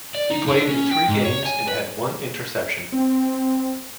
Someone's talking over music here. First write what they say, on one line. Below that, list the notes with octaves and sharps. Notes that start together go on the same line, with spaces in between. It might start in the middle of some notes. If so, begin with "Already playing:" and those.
He played in three games and had one interception.
D5
D#4
D3
C#4
G5
G#2
C#5
G#5
B4
C4